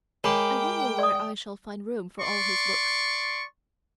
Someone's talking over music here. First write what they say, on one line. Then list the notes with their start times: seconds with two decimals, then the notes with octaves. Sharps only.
"I wonder where I shall find room for all his books."
0.24 G#3 A#4 C#5 G5 B5 D6
0.99 D5 D#6
2.20 D5 C6 C#6